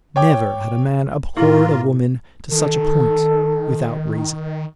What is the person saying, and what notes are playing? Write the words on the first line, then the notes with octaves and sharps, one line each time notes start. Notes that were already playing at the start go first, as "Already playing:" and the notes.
Never had a man abhorred a woman to such a point without reason.
C#5 G5 D6
A2 A#3 E4 F4
D#3 A4